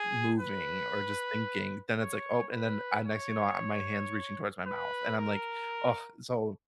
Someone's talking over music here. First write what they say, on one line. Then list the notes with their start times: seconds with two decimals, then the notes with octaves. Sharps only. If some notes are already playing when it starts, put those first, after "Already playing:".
moving or just thinking, then it's, like, "Oh", and then I next thing you know, uh, my hand's reaching towards my mouth, and I'm, like, "Ugh." So,
Already playing: G#4
0.40 B4
1.99 C#5
2.52 B4
3.06 C#5
4.66 B4
5.19 A#4